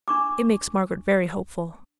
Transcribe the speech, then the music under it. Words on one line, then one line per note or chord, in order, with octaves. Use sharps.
It makes Margaret very hopeful.'
D4 C#6 D6